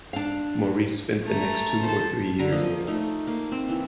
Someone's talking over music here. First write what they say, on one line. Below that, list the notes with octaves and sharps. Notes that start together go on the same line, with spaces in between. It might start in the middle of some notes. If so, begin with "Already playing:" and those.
Maurice spent the next two or three years there.
D4 F5
A3 A#5
A4 C5
D3 A#5
F3 A#3 D#5
A3 D#4
A#3
C4
E3